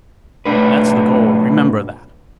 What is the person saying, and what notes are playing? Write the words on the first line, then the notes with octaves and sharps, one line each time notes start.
That's the goal, remember that!
B1 A2 D4 B4